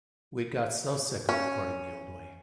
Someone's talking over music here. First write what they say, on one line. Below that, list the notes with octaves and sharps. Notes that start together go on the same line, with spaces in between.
We'd got so sick of recording the old way.
C#4